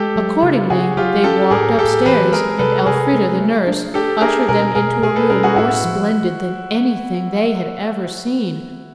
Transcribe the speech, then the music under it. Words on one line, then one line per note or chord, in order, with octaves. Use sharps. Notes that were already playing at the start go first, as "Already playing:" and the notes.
Accordingly, they walked upstairs, and Elfrida, the nurse, ushered them into a room more splendid than anything they had ever seen.
Already playing: G#3 G4 A4
F#3
C#3
C#3 F#4 G#4
F#3 F4 G4
C#4 G4 A4
A2 G#4 A#4
A2 G4 A4
E3 A4 B4
G#3 G#4 A#4
C3 A4 B4
C3 G#4 A#4
G#3
A3
D4
D4 G4 A4
D4 G#4 A#4
B2 G#4 A#4
B2 G#4 A#4
B2 G#4 A#4
A4 B4
C#4 G#4 A#4
F#4 G#4
A2 E4 F#4
F3